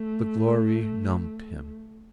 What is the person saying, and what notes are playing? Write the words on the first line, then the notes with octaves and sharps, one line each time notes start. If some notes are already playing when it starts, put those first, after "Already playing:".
The glory numbed him.
Already playing: A3